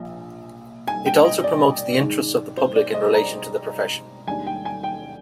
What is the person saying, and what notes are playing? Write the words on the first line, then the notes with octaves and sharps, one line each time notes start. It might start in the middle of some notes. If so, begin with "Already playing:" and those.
It also promotes the interests of the public in relation to the profession.
Already playing: A#1 A#2 F3
G#5
G5
D#5
D5
G#2 D#3 G#3
C5
D5
D#5
A#5
D#2 D#3 G#3 D4 G#5
G5
G#5
G5